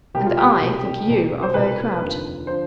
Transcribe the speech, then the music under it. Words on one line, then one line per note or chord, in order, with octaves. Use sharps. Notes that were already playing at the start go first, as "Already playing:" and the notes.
"And I think you are very crabbed."
C2 B2 G4
F4
G4
C2 B2
C2 B2
C5
C2 B2 B4
F1 D#2 D3 F3
D3 F3 C5